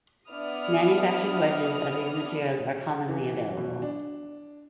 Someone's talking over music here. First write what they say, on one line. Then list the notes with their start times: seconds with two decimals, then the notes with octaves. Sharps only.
Manufactured wedges of these materials are commonly available.
0.29 B3 D4 E4 D5 D#6 F6
3.08 E3
3.57 B2
3.82 D4